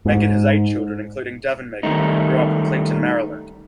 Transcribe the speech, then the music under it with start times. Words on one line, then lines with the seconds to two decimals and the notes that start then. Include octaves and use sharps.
Meggett has eight children, including Davin Meggett, who grew up in Clinton, Maryland.
0.05 G#2
1.83 D#3 G3 A3 D#4